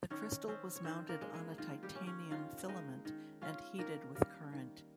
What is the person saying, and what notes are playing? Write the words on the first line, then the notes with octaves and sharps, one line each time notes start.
The crystal was mounted on a titanium filament and heated with current.
D#3 C#4 C#5
C4 C#4 C5
C#5
D#3 C4 C5
A#3 A#4
G#3
G#3 G#4
D#3 F4
G3 G4
C#4
C#4 C#5
D#3 F4 F5
G#3 D#4 D#5
D#3
C#4 F4 F5
D#3 A#3 A#4
G3 A#3 A#4
D#3